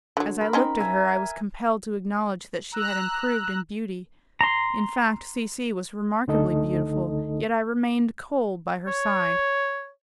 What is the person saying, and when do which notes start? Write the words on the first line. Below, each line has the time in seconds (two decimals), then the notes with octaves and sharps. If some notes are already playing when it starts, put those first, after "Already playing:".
As I looked at her, I was compelled to acknowledge that she had improved in beauty; in fact C---- C---- was remarkably beautiful, yet I remained cold by her side.
0.17 D3 F#3
0.40 A#4 B5
0.53 C4 C#4 D#4
0.79 E5 G#5 A#5
2.72 A#5 E6 F#6
4.41 A#5 C6
6.27 C#2 D3 A3 D#4 A4 D#5
8.87 C#5